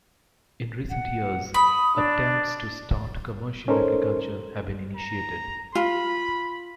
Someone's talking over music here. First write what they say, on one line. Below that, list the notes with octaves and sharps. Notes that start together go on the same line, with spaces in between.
In recent years, attempts to start commercial agriculture have been initiated.
F#5
B5 D#6
D4
C#4 D#4 A4 A#4 C5
A#5
F4 B5